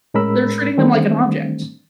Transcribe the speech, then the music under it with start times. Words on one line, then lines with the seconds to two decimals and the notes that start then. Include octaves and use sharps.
They're treating them like an object.
0.14 A2 G#3 C#4 A#4 B5 E6
0.78 D#3 E3 G3 A3 C4 D4